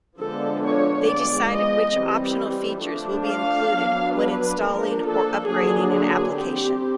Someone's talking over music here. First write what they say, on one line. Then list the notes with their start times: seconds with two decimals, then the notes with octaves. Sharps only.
They decide which optional features will be included when installing or upgrading an application.
0.20 D3 F3 G#3 B3 D4 A4
0.64 C#5
1.08 F3 G#3 B3 D5
1.52 D#5
1.96 E3 G3 C4
2.84 F3 A3 D4
3.28 F5
3.72 F#3 B3 D4
4.16 B4
4.60 F3 A#3 D4 A#4
5.04 A4
5.48 D3 F#3 A#3 D4 G#4
5.92 G#4
6.36 G3 C4 G4